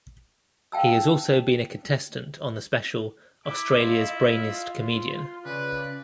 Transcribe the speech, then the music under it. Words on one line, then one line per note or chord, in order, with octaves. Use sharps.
He has also been a contestant on the special "Australia's Brainiest Comedian".
F5 G5 A5 E6
E4 D6
F4 D#5
C6
C#3 B4 D5